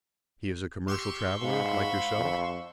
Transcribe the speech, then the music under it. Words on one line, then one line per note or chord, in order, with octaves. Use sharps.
"He is a commercial traveler like yourself?"
G4 C6 C#6 E6
G#2 F5 F#5 B5
F2